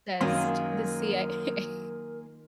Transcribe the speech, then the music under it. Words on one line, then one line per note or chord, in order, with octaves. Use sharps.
sessed The CIA A
F#2 D#3 F#3 A#3 F4 G#4 A#4 C6